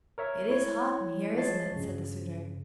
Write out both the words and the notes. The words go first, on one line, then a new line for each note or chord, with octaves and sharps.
'It is hot in here, isn't it!' said the suitor.
A#4 C#5 E5
E4 C#5
F3 G#3 C#5 A5 A6 C7
G2 C#3